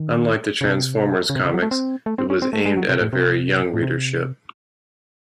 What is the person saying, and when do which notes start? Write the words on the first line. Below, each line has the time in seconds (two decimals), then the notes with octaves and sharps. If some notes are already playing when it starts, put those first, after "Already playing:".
Unlike the "Transformers" comics, it was aimed at a very young readership.
Already playing: D#3
0.61 C#3
0.65 C3
1.30 C#3
1.36 C3
1.45 C#3
1.54 F#3
1.62 A3
1.71 C4
2.06 A3
2.18 C4
2.30 C#4
2.42 C4
2.53 A3
2.65 G#3
2.77 F#3
2.89 C3
3.01 A2
3.13 C3
3.74 A2
3.83 C3